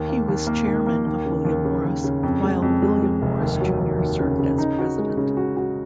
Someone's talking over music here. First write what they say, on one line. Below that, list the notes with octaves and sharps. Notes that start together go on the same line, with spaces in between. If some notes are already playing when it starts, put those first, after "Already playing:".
He was Chairman of William Morris while William Morris Junior served as President.
Already playing: D#2
A#3
D#2
A#3
D#3
A#3
D#2
C#3
D#2
C#3
D#2
C#3
F2
G#3
F2
G#3
G#3
F1
D#2
F#3
D#2
D#2
C#3
C#3
D#4
F#4
G#3
C#3
F#4
F#4